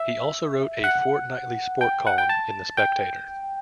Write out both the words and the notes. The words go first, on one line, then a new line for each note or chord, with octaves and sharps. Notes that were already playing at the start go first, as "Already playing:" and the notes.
He also wrote a fortnightly sport column in the "Spectator".
Already playing: E5
F#5
G5
F#5
G5
A5
G5